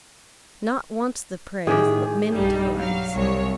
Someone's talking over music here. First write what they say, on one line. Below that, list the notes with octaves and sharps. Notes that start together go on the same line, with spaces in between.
Not once the praise, but many times.
A2 D#3 G4 G#4
B1 G2 G3 D#4
F#3 F5
C2 C#5